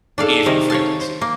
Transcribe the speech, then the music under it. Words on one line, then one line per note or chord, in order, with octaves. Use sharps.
even frequency.
D4 D#4 G#4 A4 D5 F5
C3 D#3 A#4
C#5 F5 A5
C5
A#3